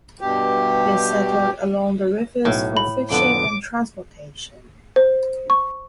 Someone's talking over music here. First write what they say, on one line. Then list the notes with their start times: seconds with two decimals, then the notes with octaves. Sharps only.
They settled along the rivers for fishing and transportation.
0.21 G2 B2 G4
2.45 B1 A2 F#4
2.77 B5
3.11 F2 D3 B3 D6
4.96 C5
5.50 C#6